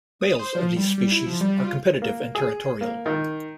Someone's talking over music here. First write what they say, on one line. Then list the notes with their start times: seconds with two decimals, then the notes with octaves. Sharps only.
Males of these species are competitive and territorial.
0.21 D#6
0.39 C5
0.55 F3
0.76 G3
0.98 G3
1.12 E4
1.26 F3
1.41 G3
1.64 F4
2.02 A#3
2.35 G#4
2.81 A#3
3.06 D#3